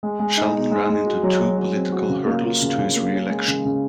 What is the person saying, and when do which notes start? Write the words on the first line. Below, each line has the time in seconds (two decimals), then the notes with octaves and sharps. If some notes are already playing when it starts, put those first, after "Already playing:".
Sheldon ran into two political hurdles to his re-election.
0.03 G#3
0.19 G#3
0.37 D#4
0.55 G#3
0.71 G#3
0.89 G#3
1.06 F#4
1.23 F#3
1.40 F#4
1.58 F#3
1.75 C4
1.92 F#4
2.09 C#3
2.26 A#3
2.44 F4
2.62 C#3
2.78 C#3
2.96 A#3
3.13 C#4
3.29 G#3
3.48 C#3
3.65 C#3